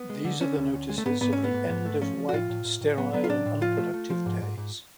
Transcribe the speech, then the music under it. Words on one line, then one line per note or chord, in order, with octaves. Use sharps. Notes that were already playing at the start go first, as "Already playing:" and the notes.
These are the notices of the end of white, sterile and unproductive days.
Already playing: B3
G#3
D3
D3 C#4
D2
D2
G#3
A3
G#2 B3
G#2 B3
A3 C#4
B3
G#2
G#2
A3
F3 C#4
F3
F#4
A2 F4
A2
A2
A2
F#3 B3
F#3 B3
F4
A2 D4
A2
F3 F4
A3
A3
F3
G#2
G#2
G#2